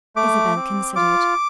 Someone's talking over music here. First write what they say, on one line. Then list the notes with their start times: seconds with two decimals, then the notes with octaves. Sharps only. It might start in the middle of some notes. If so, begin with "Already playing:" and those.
Isabel considered.
0.16 A3 D6
0.56 C4
0.96 F4 D6